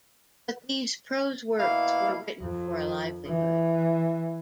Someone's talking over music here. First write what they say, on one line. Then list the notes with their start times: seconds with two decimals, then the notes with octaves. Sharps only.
But these prose works were written for a livelihood.
1.59 B2 A#3 E4 F5
2.41 F2
3.26 E3